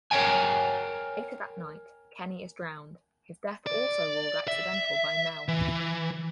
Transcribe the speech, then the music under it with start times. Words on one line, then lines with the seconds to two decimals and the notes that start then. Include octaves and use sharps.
Later that night, Kenny is drowned, his death also ruled accidental by Mel.
0.11 A#4 C#5 D#5 G5 G#5
3.67 D5
4.48 E5
5.48 E3